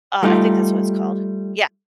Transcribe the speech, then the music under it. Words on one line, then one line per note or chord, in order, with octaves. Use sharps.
Uh, I think that's what it's called. Yeah.
G3 A3 D#4 F4